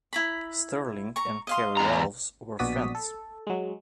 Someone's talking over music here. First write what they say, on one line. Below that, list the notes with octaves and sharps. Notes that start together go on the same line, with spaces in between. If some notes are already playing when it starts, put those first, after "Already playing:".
Stirling and Cary-Elwes were friends.
E4 A#5 B5
A#5 C#6
D#5 F5 C6
E2 A#5
A#1 B2 F#4 D5 D#6 B6
A4
F#3 G#3